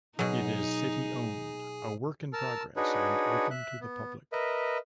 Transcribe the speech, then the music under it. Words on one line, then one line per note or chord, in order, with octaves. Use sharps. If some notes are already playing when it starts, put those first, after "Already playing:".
It is city-owned, a work in progress, and open to the public.
B2 F#3 D#4 G#4
A#4 A5 E6 F6
D4 D#4 F#4 G#4 B4 C#5
E5 F#6
B3
A#4 B4 D#5 E5